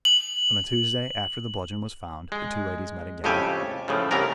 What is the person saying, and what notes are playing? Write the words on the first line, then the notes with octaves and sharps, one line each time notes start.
On the Tuesday after the bludgeon was found, the two ladies met again.
F#7
G#3
F2 A2 C#3 G4 A4 G#5
A2 C#3 F3
C2 C#3 E3 B3 A#4 A#5